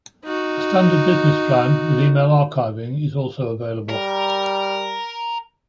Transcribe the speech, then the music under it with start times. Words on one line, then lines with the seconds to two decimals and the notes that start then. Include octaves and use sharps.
A standard business plan with email archiving is also available.
0.25 D#4 F#4
3.89 G3 A#4